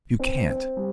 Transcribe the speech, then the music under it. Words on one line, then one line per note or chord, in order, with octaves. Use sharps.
You can't.
C4
C4
G3